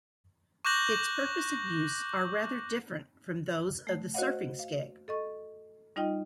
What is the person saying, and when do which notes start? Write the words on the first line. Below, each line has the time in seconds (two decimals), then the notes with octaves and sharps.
Its purpose and use are rather different from those of the surfing skeg.
0.65 C#6 D6 F#6 G6 A#6 F#7
3.87 A3
4.14 F#4 C5 C#5 D#5 F5 F#5
4.59 F5
5.08 A4 D#5 C#6
5.96 G3 D#4 F4 D#5 G5